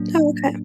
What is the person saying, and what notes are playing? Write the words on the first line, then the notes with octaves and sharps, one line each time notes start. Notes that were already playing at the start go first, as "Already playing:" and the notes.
Oh, okay.
Already playing: A2 F#3 A#3 D4